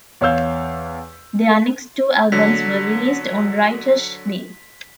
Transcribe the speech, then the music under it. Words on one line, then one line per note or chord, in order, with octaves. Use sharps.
Their next two albums were released on Righteous Babe.
E2 C#5 F5 E6 G6
D3 F#3 B6